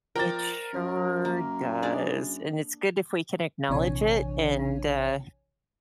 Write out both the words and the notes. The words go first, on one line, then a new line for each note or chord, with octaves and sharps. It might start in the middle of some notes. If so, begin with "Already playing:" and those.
It sure does, and it's good if we can acknowledge it and, uh
F3 A#4 C5 D5 G5 A6
F#2
A#3
D4 G#4 D5
A#1 C3 E3 D4 C#5 G#5